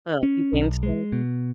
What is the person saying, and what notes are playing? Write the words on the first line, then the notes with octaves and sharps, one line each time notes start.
Oh, you gained strength?
C#4
B1
G#3
B2